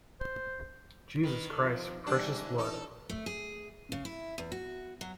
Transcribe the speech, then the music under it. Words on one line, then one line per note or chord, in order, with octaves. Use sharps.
Jesus Christ, Precious blood!
C5
D#3 B4
A4
F3
G#2 E3 G3 D4
E3 D#4 A4
A3
G#4
C#3
E4
E2
F#4
F#3